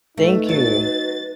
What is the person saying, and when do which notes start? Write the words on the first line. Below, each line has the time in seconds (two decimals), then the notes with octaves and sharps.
Thank you.
0.18 A3 D#4 B4
0.49 F#3 A6